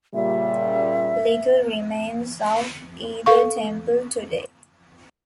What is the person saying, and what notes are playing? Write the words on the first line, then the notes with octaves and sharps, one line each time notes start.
Little remains of either temple today.
A#2 C#3 G3 E5
A4 F5 C#6